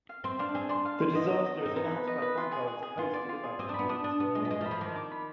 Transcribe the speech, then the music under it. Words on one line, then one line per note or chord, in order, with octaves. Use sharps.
The disaster is announced by placards posted about the streets in the evening.
F5
C4 C6
D4 F5
C4 G#4
D4 C6
F5
C6
B3 D#5
D#5
D#5
C4 D#4
B3 D#4
B4
D#5
B4
F4
G#4
G#4
G#4
B3 F4
D5
F4
G#4
C4 D#6
D4
B3 B5
D4 D#6
D4 D#6
B3 D#6
G#3 D#5
B3
G#3 D#5
F3
B5
F3
D#3 D6
D6
B5